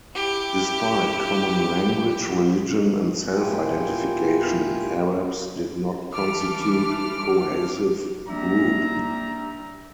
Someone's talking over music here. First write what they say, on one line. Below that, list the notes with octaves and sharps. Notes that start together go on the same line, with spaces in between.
Despite common language, religion, and self-identification, Arabs did not constitute a cohesive group.
E4 G4
A#2 E4 F4 G4 G5 G#5
E3 A4 D6 F6
G3 A#3 D4 E5 A#5